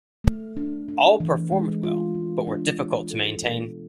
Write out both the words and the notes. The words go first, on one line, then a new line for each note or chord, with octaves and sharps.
All performed well, but were difficult to maintain.
A3
D4
D4
E3
G#3
F4
G#3
D4
D4
A4
B2